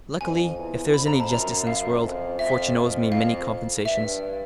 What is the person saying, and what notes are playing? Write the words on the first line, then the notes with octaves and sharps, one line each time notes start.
Luckily, if there is any justice in this world, fortune owes me many compensations.
F2 G#5
E2
F2 B5
A#5
A5
F#2 A#5
F#2 F5
F2
F2 E5
F2
F2 F5
G2 E5